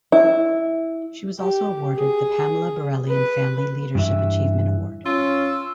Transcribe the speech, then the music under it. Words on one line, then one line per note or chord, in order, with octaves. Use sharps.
She was also awarded the Pamela Borelli and Family Leadership Achievement Award.
E4
G4
G#4
B4
G2 E3 E5
C#4 F4 E6